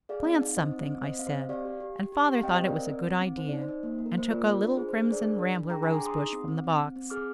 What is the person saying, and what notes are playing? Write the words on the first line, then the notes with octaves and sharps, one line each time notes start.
"Plant something!" I said, and father thought it was a good idea and took a little crimson rambler rose bush from the box.
G#4 D5 F5
C4
D#4
C4 C5 D#5
C4
C4
C4 C5 D#5
C4 F5
C5 D#5
C4
G4 D5 F5
G4
G4
G4
G4
G4
F5
C4 D#5 G5
C5 D#5
C4
A#4 D5
C4
C4
C4
C4
D#4 C5
D#4 D5
C5
D#4
A#3
A#3
A#4
A#3 C5
F4 A#4 D5
F4
D4
G#4 C5
C5
D4
C5
G#4 A#4 D5
D4
D4
D4
G#4 G5 A#5
G#5 C6
D4
A#5 D6
G#4 C6 D#6
D#4
C4
C4
C4
C4
C4
G#4 D6 F6